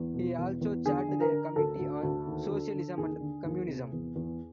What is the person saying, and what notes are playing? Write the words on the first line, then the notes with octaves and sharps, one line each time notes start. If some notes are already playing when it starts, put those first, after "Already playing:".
He also chaired their Committee on Socialism and Communism.
Already playing: E2
B2
E2
E2
D3 G#4
D3
A#4
D3
D2 A4
D2
D2
D#2
D3
D3
D#2 G#4
D3
D#2
C3
E2
E2